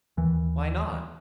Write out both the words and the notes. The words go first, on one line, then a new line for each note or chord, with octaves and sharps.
"Why not?"
D#2 E3